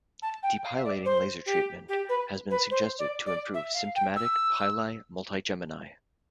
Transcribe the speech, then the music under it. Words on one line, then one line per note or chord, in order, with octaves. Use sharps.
Depilating laser treatment has been suggested to improve symptomatic pili multigemini.
A5
G5
F5
E5
D5
C5
G4
G4
B4
B4
C5
D5
D5
E5
F5
G5
E6